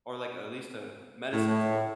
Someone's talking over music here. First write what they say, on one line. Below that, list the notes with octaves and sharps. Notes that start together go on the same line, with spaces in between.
Or, like, at least a medicine for it.
A2